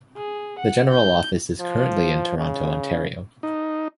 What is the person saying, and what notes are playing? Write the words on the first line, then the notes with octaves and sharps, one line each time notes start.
The General Office is currently in Toronto, Ontario.
G#4
F#5
G6
F3
C#3
D#4